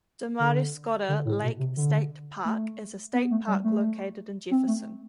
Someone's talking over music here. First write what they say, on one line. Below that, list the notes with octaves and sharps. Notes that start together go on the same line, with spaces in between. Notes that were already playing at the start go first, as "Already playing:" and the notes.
Damariscotta Lake State Park is a State Park located in Jefferson.
D3
D3
A2
B2
C3
D3
A3
B3
A3
G3
A3
C4
A3